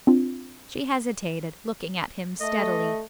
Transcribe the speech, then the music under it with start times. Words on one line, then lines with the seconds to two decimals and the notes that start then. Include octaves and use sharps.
She hesitated, looking at him steadily.
0.07 C4 D4 F4
2.41 A3 D#5